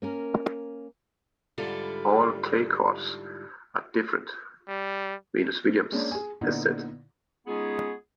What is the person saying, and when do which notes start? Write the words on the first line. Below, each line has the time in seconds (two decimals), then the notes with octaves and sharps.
"All clay courts are different," Venus Williams has said.
0.02 A#3 C#4 A#4
1.58 G#2 D3 G3 E4 F4 A4
4.68 G3
5.92 G#3 A#3 C#4 D4
6.11 G#4 G#5
6.41 A#2 D3 B3 D#4 E4
7.47 G#3 B3 C#4 D#4 F4 G#4